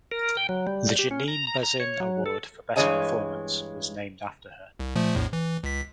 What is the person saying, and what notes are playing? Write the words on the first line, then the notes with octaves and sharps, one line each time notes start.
The Janine Bazin Award for Best Performance was named after her.
A#4
G5
F#3
G3
G4
C#4
A#5
A#5
A#5
C#5
F#3
A4
G2 E3 G#3 C#5 D#5 G#5
C2
A#2 F3 A3
A#1 E2 A2
E3
C#2 B6